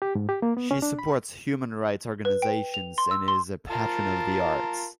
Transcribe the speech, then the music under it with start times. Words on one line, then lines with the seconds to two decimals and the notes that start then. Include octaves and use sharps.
She supports human rights organizations and is a patron of the arts.
0.02 G4
0.15 G#2
0.29 G4
0.42 A#3
0.57 B3
0.71 C#4
0.82 D4
0.99 B5
2.25 B4
2.42 G5
2.74 F7
2.98 C6
3.11 E6
3.28 C6
3.71 F4 A#4 A5